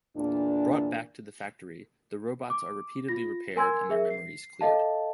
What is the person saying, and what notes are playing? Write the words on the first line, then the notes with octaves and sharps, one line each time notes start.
Brought back to the factory the robots are repeatedly repaired and their memories cleared.
E2 A#2 D4
D6
F4 A#6
A#4 G#5 C6 E6 G#6
G#4 A#4 E5
C7
A4 D#5 F5 A5